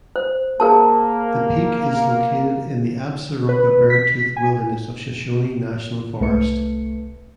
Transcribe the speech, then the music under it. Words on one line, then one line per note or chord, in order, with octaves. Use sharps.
The peak is located in the Absaroka–Beartooth Wilderness of Shoshone National Forest.
C5
A#3 G#4 A#4 A5
B4
B6
G#5
C2 A3 B4 C#7